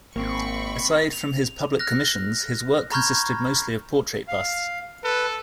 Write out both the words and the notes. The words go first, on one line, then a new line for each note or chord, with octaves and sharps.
Aside from his public commissions, his work consisted mostly of portrait busts.
G#1 A#3 C4 B5 C#6
F7
F6 F#6 A#6
A#5 B5 C#6 F6 G6 G#6
F5
A4 B4